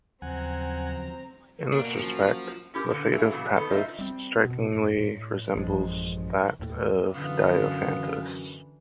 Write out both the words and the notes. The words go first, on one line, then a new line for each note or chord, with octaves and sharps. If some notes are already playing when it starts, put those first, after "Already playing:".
In this respect the fate of Pappus strikingly resembles that of Diophantus.
D#2 C#3 F3 F#3 C4 F#5 G#5 A#5
A#3 D4
B2
F3 F#3 C#4 A#5
C#4 E4 G4 A#4
A#2 D3 B3
F#3 A3 A#3 E4 G#4 A4
A#2 C#3 E3 F#3 B3
D#3 B3 A4 B4
D#4 F4 D#5 E5
G3 C4
B2
F#2
A2
A1 F#2 F3 G#3
D#2 A2
F#2 D3 E3 B3 F4